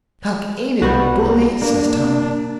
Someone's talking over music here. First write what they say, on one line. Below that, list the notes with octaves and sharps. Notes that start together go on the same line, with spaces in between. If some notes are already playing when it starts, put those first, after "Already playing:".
"Huck, ain't it bully!" says Tom.
C2 G3 B3 F#4
A#3 D4